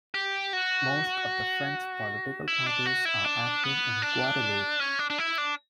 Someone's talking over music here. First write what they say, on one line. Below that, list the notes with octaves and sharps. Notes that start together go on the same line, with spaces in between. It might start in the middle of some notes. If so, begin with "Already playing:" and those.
Most of the French political parties are active in Guadeloupe.
G4
F#4
E4
D4
F#4
E4
D4
B3
D4
C#4
D4
D4
E4
D4